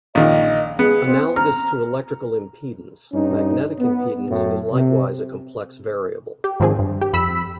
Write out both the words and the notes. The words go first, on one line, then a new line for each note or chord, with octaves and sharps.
Analogous to electrical impedance, magnetic impedance is likewise a complex variable.
A#1 D#3 D#5
B3 G#4
C4
A#5 F6
G2 C#4 D#4
B3
F#2 A2
C3
G4
G#2 D#3 F3 C4 D4 G#4
G2
G4
F2 B5 E6 B6